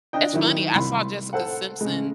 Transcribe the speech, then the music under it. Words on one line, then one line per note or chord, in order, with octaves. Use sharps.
it's funny, I saw Jessica Simpson,
D4 D#5 G5
D#3 F#3 E4
C2 B5 C6
A4 C5 F#5
C#3 G#3